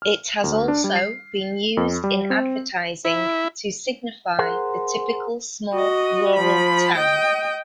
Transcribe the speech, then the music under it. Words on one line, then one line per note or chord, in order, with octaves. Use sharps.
It has also been used in advertising to signify the typical small rural town.
F6
D2
D4
G3
C7
F2
G3
C4
E4
G#4 A#4 C5 F#5
F#4 D#5
F3 B5
D#5 G5